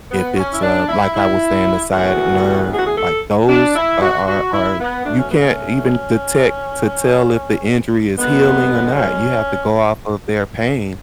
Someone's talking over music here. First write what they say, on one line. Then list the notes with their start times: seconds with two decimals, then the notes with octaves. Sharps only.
if it's, uh, like I was saying, the sciatic nerve, like those a are are you can't even detect to tell if the injury is healing or not, you have to go off of their pain.
0.11 B3
0.36 C#4
0.53 E4
0.62 D4
0.89 E4
1.14 E4
1.92 D2 C#3 E3 B3 F#4
2.72 G#4
2.79 F#4
2.86 G#4
2.97 A4
3.49 D4
3.76 E4
4.02 F#4
4.27 F#4
4.53 E4
4.80 B3
5.05 B2 F#3 A3 D4
5.17 C#4
5.28 B3
5.40 C#4
5.84 C#4
8.18 F#2 D3 G#3 B3
8.97 C#4